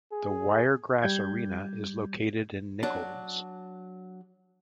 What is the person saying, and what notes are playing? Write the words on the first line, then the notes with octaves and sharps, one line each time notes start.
The Wiregrass Arena is located in Nicholls.
G#4
G3 G6 G#6
F#3 D4